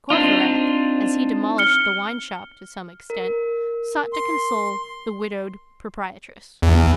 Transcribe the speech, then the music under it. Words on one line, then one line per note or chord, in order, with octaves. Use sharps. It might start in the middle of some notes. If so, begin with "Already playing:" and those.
Courfeyrac, as he demolished the wine-shop to some extent, sought to console the widowed proprietress.
C4 D4 D#4 F4
F6 C#7 G7
A#4
C6
E2